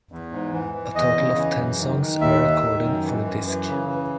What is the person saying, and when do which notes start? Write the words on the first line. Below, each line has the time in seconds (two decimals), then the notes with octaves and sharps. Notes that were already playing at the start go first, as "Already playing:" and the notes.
A total of ten songs were recorded for the disc.
0.12 E2
0.32 G#2
0.53 E3
0.74 E3
0.95 E2 D#5
1.16 C#3
1.37 E3
1.58 F#2
1.79 D#3
2.00 D#3
2.21 D#2 E5
2.42 D#3
2.63 D#3
2.84 F#2
3.04 E3
3.26 F#2
3.47 E3
3.68 C#3
3.88 E3